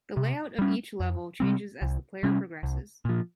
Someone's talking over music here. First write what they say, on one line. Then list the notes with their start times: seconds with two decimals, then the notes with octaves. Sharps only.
The layout of each level changes as the player progresses.
0.17 C3
0.59 G3 C#4
1.00 F2
1.40 C3 G3 C4
1.82 C2
2.23 C3 G3 C#4
2.63 C2
3.05 A#2 F3